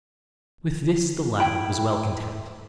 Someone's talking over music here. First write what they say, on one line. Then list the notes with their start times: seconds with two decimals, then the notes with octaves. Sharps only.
With this the lad was well content.
1.40 E4 G5 B5